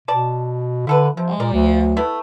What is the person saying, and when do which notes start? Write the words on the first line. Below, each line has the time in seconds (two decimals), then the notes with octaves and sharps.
Oh yeah.
0.08 B2 D5 A5
0.87 D3 E4 A4 B4
1.17 C3 F3
1.40 A#2 A#4 D5
1.53 D2
1.97 A3 B3 E4